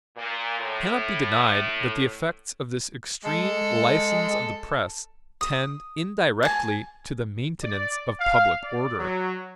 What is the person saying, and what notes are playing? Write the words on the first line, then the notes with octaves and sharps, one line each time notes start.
It cannot be denied that the effects of this extreme license of the press tend indirectly to the maintenance of public order.
A#2
A2
G#3 A4
D#6
G#5 A5
D5
F5
D5
F#3